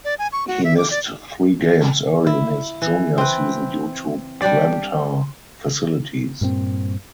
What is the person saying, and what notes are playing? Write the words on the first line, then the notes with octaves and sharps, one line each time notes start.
He missed three games early in his junior season due to plantar fasciitis.
D5
G#5
C#6
F#4
E5
D6
D5
E4
E3
C4 B4
G3 D4 G4 D5
G2 A#2 B3 C4